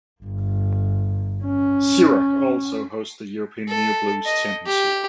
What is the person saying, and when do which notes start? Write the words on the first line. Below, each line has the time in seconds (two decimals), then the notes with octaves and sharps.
Ceroc also hosts the European Neo-Blues Championships.
0.24 G1
1.44 C#4
3.68 A4
4.26 D#5
4.66 G4